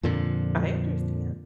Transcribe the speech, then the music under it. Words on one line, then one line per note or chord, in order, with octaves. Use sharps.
I understand.
F2 A#2 D3 F3